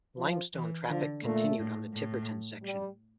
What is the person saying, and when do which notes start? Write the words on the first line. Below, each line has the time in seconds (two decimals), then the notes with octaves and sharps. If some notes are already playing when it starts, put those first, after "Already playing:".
Limestone traffic continued on the Tiverton section.
0.18 F3
0.54 E3
0.89 D3 F3
1.23 A#2 A3
1.59 A2
1.93 A2
2.63 G3